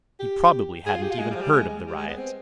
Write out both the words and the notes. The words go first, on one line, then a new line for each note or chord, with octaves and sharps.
He probably hadn't even heard of the riot.
G4
G#4
F4
G4
F4
G#3
G3
F3
G3
G#3
G#3
G3
G#3
B3
C4